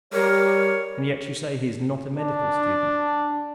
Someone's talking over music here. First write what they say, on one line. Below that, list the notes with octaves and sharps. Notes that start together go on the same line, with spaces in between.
"And yet you say he is not a medical student?"
G3 A#4 C#5
D4